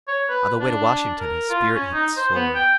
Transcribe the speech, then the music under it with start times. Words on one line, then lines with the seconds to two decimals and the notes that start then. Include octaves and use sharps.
On the way to Washington his spirit had soared.
0.08 C#5
0.29 B4
0.60 D4
1.20 A#4
1.50 F4
1.75 C#4
1.93 D#4
2.17 C5
2.35 B3
2.55 G5